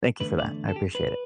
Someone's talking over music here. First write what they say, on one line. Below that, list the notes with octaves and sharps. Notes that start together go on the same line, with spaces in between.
thank you for that. I appreciate it.
E2 D3 A3 B4
D5
A4
G4
B4